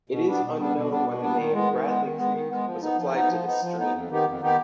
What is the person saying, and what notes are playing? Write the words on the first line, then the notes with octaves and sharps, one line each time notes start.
It is unknown why the name "Bradley Creek" was applied to this stream.
B2
G3 B3 D4
B2
G3 B3 D4
B2
G3 B3 D4
B2
G3 B3 D4
D#3
G#3 B3
D#3
G#3 B3
D#3
G#3 B3
D#3
G#3 B3
F3
B3 D#4
F3
B3 D#4
F3
B3 D#4
F3
B3 D#4
F2
D#3 B3 D#4 G4
F2
D#3 B3 D#4 G4